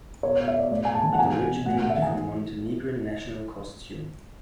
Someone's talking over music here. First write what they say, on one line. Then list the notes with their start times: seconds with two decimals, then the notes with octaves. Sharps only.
It originated from Montenegrin national costume.
0.23 B2 C#5
0.35 B2 C#5
0.48 E5
0.56 B2 D5
0.71 A2 D5
0.85 A2 G#5
0.94 A5
1.03 E3
1.13 F#5
1.19 B2 G#5
1.34 B2
1.50 B2
1.66 A2 F#5
1.77 A2 F#5
1.90 E5
1.98 E3 G#5